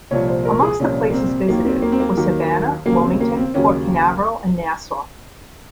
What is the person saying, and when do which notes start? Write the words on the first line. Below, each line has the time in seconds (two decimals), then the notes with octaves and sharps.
Amongst the places visited were Savannah, Wilmington, Port Canaveral and Nassau.
0.11 C2 A#2 F3 C#5
0.28 C5
0.45 A#4
0.62 G#4
0.80 C2 A#2 F3 C#4
1.10 A#3
1.14 C4
1.48 D#2 D#3 F#3 A#3
1.66 C4
1.82 A#3
1.92 C4
2.00 A#3
2.17 D#2 D#3 F#3
2.86 D#2 C#3 F#3 A#3
3.03 C4
3.20 A#3
3.37 C4
3.54 D#2 C#3 F#3 C#4